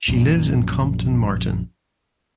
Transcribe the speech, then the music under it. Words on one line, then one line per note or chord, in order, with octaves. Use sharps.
She lives in Compton Martin.
A#1 F#2 A#2